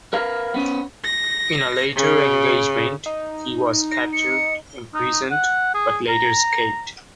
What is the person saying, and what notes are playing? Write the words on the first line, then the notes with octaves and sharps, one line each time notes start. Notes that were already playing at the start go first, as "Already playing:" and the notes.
In a later engagement, he was captured, imprisoned, but later escaped.
A#4 B4 F5
B3 C#4
A#6
C#3
D#4
A#6
C#7
D#4
F#5
G#4
A#5